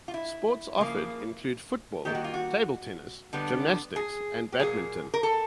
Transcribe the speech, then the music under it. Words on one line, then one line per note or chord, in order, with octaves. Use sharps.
Sports offered include football, table tennis, gymnastics and badminton.
F4
E4
C#3 F3 A#3
D#3 G3 A#3 G4
F#4
F4
F#4
D3 G3 B3
G#4
G4
A#2 F#3 A#3 G#4
A#4
A4